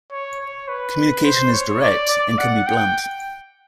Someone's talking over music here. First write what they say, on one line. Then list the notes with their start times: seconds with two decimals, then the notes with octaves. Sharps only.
Communication is direct, and can be blunt.
0.11 C#5
0.40 C#5
0.68 B4
1.24 C5
1.53 C#5
1.82 D5
2.09 D5
2.38 F#5
2.67 G5